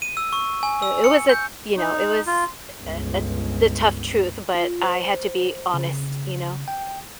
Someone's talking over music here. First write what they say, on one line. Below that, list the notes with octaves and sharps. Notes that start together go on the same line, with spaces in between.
I it was a you know, it was a a a the tough truth, but I had to be honest, you know?
D#7
E6
C#6
G#5
E6
C#7
G6
D#4
F4
G1 C#2
F4
C5
C#3
G5